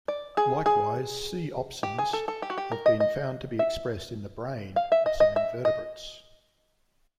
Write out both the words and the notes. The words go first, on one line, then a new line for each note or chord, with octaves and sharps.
Likewise, c-opsins have been found to be expressed in the "brain" of some invertebrates.
D5
G#4
G#4
G4
G#4
A4
A4
G4
F#4
G4
A#4
D#5
D#5
E5
F5
E5
D#5
D#5
E5
D#5